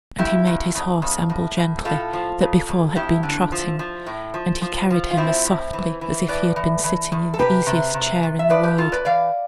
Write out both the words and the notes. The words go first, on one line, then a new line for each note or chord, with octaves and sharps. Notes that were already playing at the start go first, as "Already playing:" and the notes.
And he made his horse amble gently, that before had been trotting, and he carried him as softly as if he had been sitting in the easiest chair in the world.
F2 E4 G4
F2
F2
F2
A2
A2
A2 F4 A4
F3
F2
F2
F2 E4 G4
D3
F3
F3
A2
F3
F3
F3
F4
F3 C4 E4
A2
E3
E3
A2 B4 D5
E3
E3
E2
A4
C3 G4 B4
C3
C3
C3
E5
F3 B4 D5
G4 B4
F2 F4 A4
B4 D5
E3 D5 F5